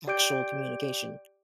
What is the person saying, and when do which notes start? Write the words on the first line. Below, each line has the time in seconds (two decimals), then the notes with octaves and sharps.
actual communication.
0.07 G4 D5 G5 D6 G6 D7